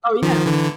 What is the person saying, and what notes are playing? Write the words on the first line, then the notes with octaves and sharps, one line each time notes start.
Oh, yeah.
D#3 F3
D3 E3